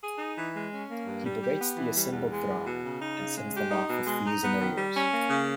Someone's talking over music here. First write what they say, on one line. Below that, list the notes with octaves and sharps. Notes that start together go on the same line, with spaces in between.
He berates the assembled throng, and sends them off with fleas in their ears.
G#4
D#4
E3
G#3
C#4
A#3
G2
G3
G4
B3
E3
G3
E2
G#3
E2
B2
C#3
D#4
C#3
G#3
G4
D#4
B2
G#3
D#4
B3
D#3
G3
C#4
A#3
C#3